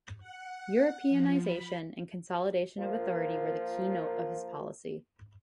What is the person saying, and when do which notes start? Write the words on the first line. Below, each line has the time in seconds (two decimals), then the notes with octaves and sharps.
Europeanization and consolidation of authority were the keynote of his policy.
0.20 F#5
1.09 F3
1.42 B5
2.79 F3 A#3 F4 A#4